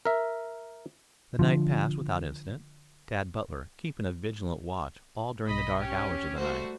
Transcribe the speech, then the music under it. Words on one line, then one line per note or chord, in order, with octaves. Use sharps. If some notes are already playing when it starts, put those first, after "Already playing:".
The night passed without incident, Tad Butler keeping a vigilant watch all during the dark hours of the night.
A#4 E5
D3 F3
B1 D#5 B5
C#4 G4
G3 A3 A#3 F#4 C5